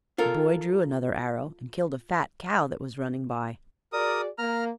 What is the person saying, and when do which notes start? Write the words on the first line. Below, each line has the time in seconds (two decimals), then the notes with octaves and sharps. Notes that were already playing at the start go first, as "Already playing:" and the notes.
The boy drew another arrow, and killed a fat cow that was running by.
0.18 F4 A4 A#4
3.93 F#4 G#4 A#4 D5 D#6
4.38 A#3 A#5 F6